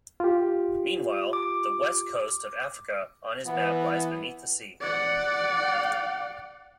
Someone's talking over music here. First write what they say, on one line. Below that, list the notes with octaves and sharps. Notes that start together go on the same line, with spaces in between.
Meanwhile, the west coast of Africa on his map lies beneath the sea.
F4 G4
D6
E3 B3
D5 F#5